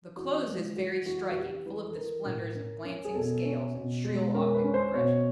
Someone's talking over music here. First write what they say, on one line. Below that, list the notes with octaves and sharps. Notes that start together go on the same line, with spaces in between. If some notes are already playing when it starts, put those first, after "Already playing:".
The close is very striking, full of the splendors of glancing scales and shrill octave progressions.
E3 F#4
G#3
F4
E3 F#4
E3 F#4
F#4
E3 G4
E3 B4
A4
E3 A#4
A2
C#4
C#4
G#4
B2 A4
C#4
B2
G#3
C#4 A#4
B4
C#4
C5
B2 C#5